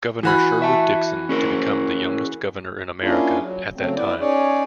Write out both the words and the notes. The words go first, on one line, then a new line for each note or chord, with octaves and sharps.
Governor Sherwood Dixon to become the youngest governor in America at that time.
E3 F#4 B5
E5 A5
C#4 G#4 A#4
A#3 C#4 D4 E4 F4 G#4
F#3
C#3 F#3 A3 C4
B3 E4 D5
C#4 D#4 G#4 C#5 D5